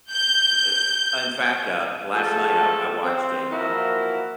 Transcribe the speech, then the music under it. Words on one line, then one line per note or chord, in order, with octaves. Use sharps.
uh, eh In fact, uh, last night I I watched a, uh
G6
F3 A3 G#4 A4
C4
E3 F3 A#3 E4 F#4 A#4